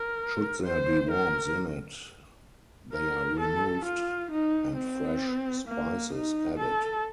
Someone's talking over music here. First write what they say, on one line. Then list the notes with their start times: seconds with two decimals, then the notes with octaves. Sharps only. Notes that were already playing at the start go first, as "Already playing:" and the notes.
Should there be worms in it, they are removed and fresh spices added.
Already playing: A#4
0.65 C5
1.11 A#4
2.93 A#4
3.39 A4
3.85 F4
4.31 D#4
4.76 C4
5.67 A#3
6.13 D#4
6.59 A4